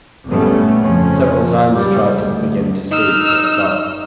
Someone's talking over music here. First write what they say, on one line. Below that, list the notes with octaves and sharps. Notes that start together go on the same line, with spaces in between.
Several times he tried to begin to speak, but stopped.
G1 A#2 G3 A3 B3 C#4
F2 C#3 F3 C#4
C#3 G3
D2
D#4 E6 F6